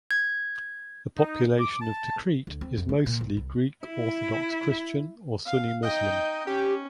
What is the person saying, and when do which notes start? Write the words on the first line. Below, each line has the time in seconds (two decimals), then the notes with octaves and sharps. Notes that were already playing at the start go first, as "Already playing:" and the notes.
The population of Tikrit is mostly Greek Orthodox Christian or Sunni Muslim.
0.11 G#6
1.16 D#4
1.59 D6
1.81 A5
2.47 D2
2.61 C4
2.78 F2
2.89 A3
3.06 A#2
3.21 A1
3.37 C2
3.85 E4
5.46 F5
5.83 D#4 D#5 G5
6.47 C#4 G4